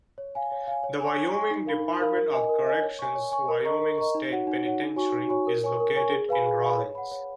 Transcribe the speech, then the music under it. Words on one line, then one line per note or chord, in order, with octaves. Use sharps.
The Wyoming Department of Corrections Wyoming State Penitentiary is located in Rawlins.
C#5
F5 G#5
C#5
F5 G#5
C#5
G#5 C#6
C#5
G#5 C#6
D#4
A#4 F5 B5
D#4
A#4 F5 B5
A#4
D#5 G#5
A#4
D#5 G#5
C#5
G#5 C#6
C#5
G#5 C#6
A#4
D#5 A#5 C#6
A#4
D#5 A#5 C#6
D#4
F#4 C#5 F#5
D#4
F#4 C#5 F#5
D#4
F#4 C#5 G#5 C#6
D#4
F#4 C#5 G#5 C#6
A#4
C#5 G#5 C#6
A#4
C#5 G#5 C#6
G#4
B4 F5 G#5 B5
G#4
B4 F5 G#5 B5
C#5
F#5 B5
C#5